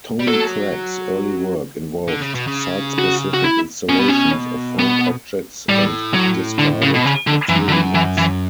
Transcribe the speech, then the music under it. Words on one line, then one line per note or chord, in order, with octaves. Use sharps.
Tony Cragg's early work involved site-specific installations of found objects and discarded materials.
G3
F#3 A4
D3
C#3
B2
C#3
F#4
F#4
E4
B2 C#4
B3
C#4
B3
A2 G3
F#3
D3
C#3
B2
C#3
D3
F#2 E3
D3
E3
E3
E3